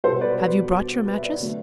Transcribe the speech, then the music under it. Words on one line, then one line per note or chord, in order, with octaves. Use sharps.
Have you brought your mattress?
B2 G3 A4 C5
B4 D5
B4
B4
E5
B4 D5
D3 F#3 A3